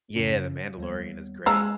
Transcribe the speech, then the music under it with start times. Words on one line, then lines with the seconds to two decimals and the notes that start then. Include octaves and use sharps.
Yeah, The Mandalorian is great.
0.16 F#2 C#3 C#4
0.78 D#2 G3 B3
1.46 G#3 F5 A5 A#5 E6